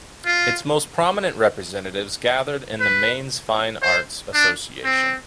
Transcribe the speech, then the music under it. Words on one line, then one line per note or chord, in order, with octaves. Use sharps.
Its most prominent representatives gathered in the Manes Fine Arts Association.
F4
B4
C5
D4
C4